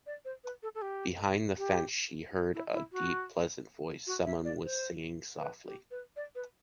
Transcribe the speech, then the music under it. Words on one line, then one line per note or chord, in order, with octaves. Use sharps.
Behind the fence, she heard a deep pleasant voice: someone was singing softly.
D5
C5
B4
A4
A4
G4
G4
E4
E4
F#4
F#4
E5
D5
C5
B4
G4
B4
D5
B4